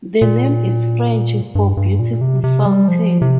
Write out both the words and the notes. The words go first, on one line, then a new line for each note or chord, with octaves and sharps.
The name is French for "beautiful fountain".
A#2
G2
G2
A#2
C3
C3
G3
F3
C3